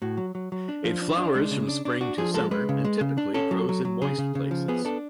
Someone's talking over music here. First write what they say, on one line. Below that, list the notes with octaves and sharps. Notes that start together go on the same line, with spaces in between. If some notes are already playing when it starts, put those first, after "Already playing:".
It flowers from spring to summer and typically grows in moist places.
A2 F#4
F#3
F#3
F#3
D4
F3
D4
D4
G#3
C#3
D4
D4
D4 F#4
F3 G#4
G#3 A4
G#3 B4
C#3
G#3
C#3
D4
C#4 A4
F#3
F#3
F#3
C#3 G#4
C#3
C#3
F3
B3 G#4
D4 A4